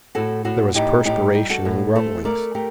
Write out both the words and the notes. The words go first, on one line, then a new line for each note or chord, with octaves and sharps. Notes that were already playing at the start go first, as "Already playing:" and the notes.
There was perspiration and grumblings.
A2 F#4 A4
A2 F#4 A4
A2 D#4 G4
A2 D#4 G4
G3
F#4 A4
A2
A3 A4 C5
A3 A#4 D5
A3 G4 A#4